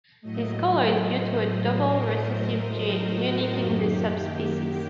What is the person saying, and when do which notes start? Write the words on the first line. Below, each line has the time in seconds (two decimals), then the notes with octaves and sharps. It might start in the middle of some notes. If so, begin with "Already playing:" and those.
This colour is due to a double recessive gene unique in the subspecies.
0.21 A2 F#3 A3 D#5
0.63 D#5
1.05 C5
1.88 A#4
2.72 A4
3.14 F#4
3.55 F#2 D#3 F#3 A#3 G4